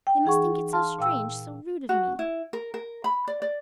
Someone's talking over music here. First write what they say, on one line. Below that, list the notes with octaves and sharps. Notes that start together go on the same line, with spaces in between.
They must think it so strange, so rude of me!
G5
E3 D#4 G#4 F#5 C#6
F5 A5 C6 F6
A#2 F5 G5 E6
F#4
E4
A#4
A#4
B5
D5
D5